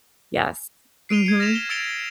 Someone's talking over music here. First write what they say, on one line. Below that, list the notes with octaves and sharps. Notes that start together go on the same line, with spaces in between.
Yes. Mhm.
C7 D7 D#7 F7 G7
G#6 C#7 D7
F6 A#6 B6 E7 F7
G7
E6 A6 C#7 D7 F7 G7
D7